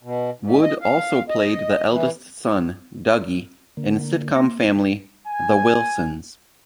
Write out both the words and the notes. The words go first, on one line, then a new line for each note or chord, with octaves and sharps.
Wood also played the eldest son, Dougie, in sitcom family "The Wilsons".
B2
G#2
D#5
F5
D#5
E3
D3 A#3
A#3 C6 A#6
G#5